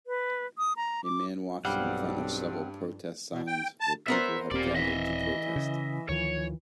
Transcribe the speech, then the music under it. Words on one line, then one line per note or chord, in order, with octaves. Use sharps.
A man walks in front of several protest signs where people have gathered to protest.
B4
D#6
A#5
D6
B1 G2 G3 C4 F5 F#5
B2
G5
A5
B3 A#4 C5 E5
D#1 C4 F4 G4 D5
E3 D#5 E5
C#3
D2 D#3 F3 C#5